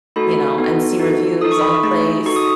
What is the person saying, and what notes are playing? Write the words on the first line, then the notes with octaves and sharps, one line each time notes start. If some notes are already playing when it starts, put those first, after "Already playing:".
you know, and see reviews on the place,
A3 D#4 F#4 A4 B5
B3 D#4 F#4 A4
D#4 F#4 A4
D#4 A4 D#6
C#6
B5
C#6
A3 D#4 G#4
D#4 F#4 A4 C#6
D#6